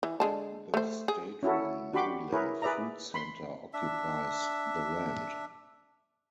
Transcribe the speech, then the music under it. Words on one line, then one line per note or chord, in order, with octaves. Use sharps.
The State-run Maryland Food Center occupies the land.
E3
D3 G#3 A5
A3 C5
G#4
C#4 E4 F#4 A4
D4 F#4 G4 B5 C6 D6
E4 G#4 A#4 B4 C#5
G#4 B4 D5 E5 A#5
B5 C6
D4 E5